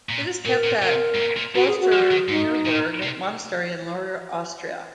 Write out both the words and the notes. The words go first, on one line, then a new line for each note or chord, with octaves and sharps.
It is kept at Klosterneuburg Monastery in Lower Austria.
A#2
A#2 A#4
A#2
C3 A#4
G#2
A#2
A#2
A#2 F#4
G#4
F#4
F3
D#3
G#2 D#4
A#2
C3